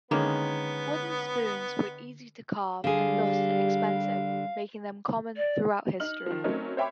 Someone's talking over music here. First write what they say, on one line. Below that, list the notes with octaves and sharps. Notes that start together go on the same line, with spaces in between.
Wooden spoons were easy to carve and thus inexpensive, making them common throughout history.
D3 D#3 G#3 A#3 B3 C#4
D3 G3 G#4 F5
D5
D#4 F6 F#7
D#3 F3
F#3 A3 C4 C#4 D#4 A#4
C5 C#5 E5 G5 B5 D6